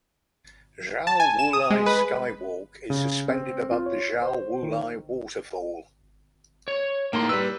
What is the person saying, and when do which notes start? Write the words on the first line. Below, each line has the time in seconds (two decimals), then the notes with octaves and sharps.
Xiao Wulai Skywalk is suspended above the Xiao Wulai Waterfall.
1.07 A5
1.20 G#5
1.39 E7
1.53 D#6
1.70 G#3
1.86 B4
2.90 C#3
3.28 C4
3.72 F4
3.86 C#5
4.22 C5
4.63 D#3
6.68 C#5
7.13 A2 A#3 D#4 C6
7.29 G3 B4 E6